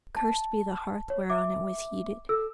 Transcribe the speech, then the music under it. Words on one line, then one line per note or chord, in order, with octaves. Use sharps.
Cursed be the hearth whereon it was heated!
A5
C#5
E5 D6
A4 E6